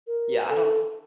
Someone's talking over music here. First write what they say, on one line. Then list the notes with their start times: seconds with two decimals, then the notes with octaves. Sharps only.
Yeah, I don't th
0.07 A#4
0.49 A4